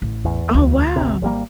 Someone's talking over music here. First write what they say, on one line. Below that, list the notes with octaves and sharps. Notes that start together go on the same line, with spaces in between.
Oh, wow.
A1
E2
D2
G#1 C3
G#1 G3 A#3